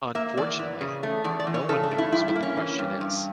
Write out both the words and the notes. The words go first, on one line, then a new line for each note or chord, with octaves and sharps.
Unfortunately, no one knows what the question is.
A#3 E5
E2 D5
E3
C#3
A3
E2 D5
D5
E3
C#5
C#3 A4
D4
A3
E4
G2 E4
E4
A#3
C#4
E3
G2
G2